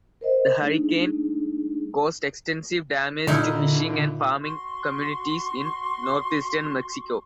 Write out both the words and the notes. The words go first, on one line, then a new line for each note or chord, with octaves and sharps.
The hurricane caused extensive damage to fishing and farming communities in northeastern Mexico.
A#4 C5 D#5 E5
G3 A3 D4 D#4 G#4
A#2 D3 D#4 E4
F#4 C6 C#6